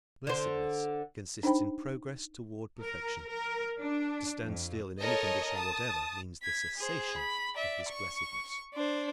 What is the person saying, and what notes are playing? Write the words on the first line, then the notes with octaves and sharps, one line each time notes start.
Blessedness consists in progress toward perfection; to stand still in any condition whatever means the cessation of this blessedness.
D3 C5
D4 D#4 C5 G5 B5
A#4
A#4
D4
F2
A4 A#4 C#5 D#5
A5 D#6
G#6 B6
G#4 C5
B5
D5 E5
C#6
D4 C5